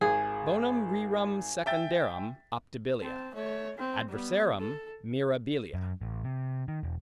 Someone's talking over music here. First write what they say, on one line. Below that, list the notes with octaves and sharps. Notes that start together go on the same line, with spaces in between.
Bona rerum secundarum optabilia; adversarum mirabilia.
G#1 G#4 G#5
E5 G5 A6
C4 A5
A3 C#5
C4
G3 B3
A4
F#2
A1
C3
D#3
E1